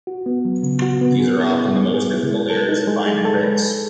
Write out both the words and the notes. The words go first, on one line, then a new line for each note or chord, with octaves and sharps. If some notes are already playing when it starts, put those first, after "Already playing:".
These are often the most difficult errors to find and fix.
F#4
B3
F#3
C#3
F#4
B3
G#4
E4
C#4
G#3
G#4
E4
G#3
A4
D#4
G#3
G#3
A4
B4
G#4